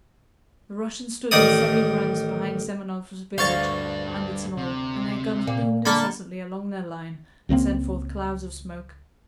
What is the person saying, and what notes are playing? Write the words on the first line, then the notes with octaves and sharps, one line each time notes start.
The Russians stood in serried ranks behind Semenovsk village and its knoll, and their guns boomed incessantly along their line and sent forth clouds of smoke.
A1 D#3 D#4 D5 D#6
D2 G2 D4 C5 F5 C#6 A6
C3
A#2
D3 A#3 A4 A5 B5
C#2 C#3 A#3 C4